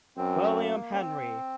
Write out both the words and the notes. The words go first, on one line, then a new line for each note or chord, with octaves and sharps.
William Henry.
F#2 C4
A#3
C#4
C4